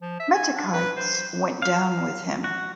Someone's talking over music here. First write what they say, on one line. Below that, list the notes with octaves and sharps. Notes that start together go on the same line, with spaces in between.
Metochites went down with him.
F3
E5
G#5
D4
B4
C5
F5
F#4